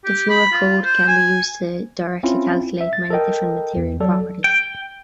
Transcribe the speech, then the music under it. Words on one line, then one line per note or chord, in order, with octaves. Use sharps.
The Fleur code can be used to directly calculate many different material properties.
G4
B5
F4
C5
G#5
C4 C#4 E4 F4
E5
A6
A4 A#4 D#5 G5
E2
F#3 A4 D5
G5